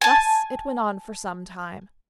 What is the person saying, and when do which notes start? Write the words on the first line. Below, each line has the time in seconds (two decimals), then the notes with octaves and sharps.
Thus it went on for some time.
0.01 G#5 A5